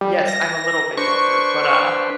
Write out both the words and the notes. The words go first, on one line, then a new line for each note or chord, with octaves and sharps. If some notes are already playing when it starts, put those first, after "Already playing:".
Yes, I'm a little bit younger but, uh
G3
A#6
D4 B4 C5 C#6